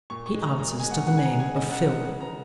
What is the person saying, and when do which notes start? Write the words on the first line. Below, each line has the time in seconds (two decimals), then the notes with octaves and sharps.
He answers to the name of Phil.
0.10 A#2 C#6
0.26 C#6
0.34 G#3
0.42 A#5
0.58 A#2 A#5
0.80 G#3 G#5
0.91 F#5
1.07 C#3 F#5
1.17 G#5
1.24 A#5
1.32 G#3
1.40 G#5
1.56 C#3 D#5
1.72 F#5
1.81 G#3
1.89 F#5
2.05 C#3
2.21 A#5